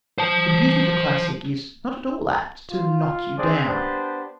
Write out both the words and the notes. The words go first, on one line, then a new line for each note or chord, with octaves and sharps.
The beauty of a classic is not at all apt to knock you down.
C5 A5
F4
C4 D4 G#4 C5 D5
B3 D4 G4 C5 A5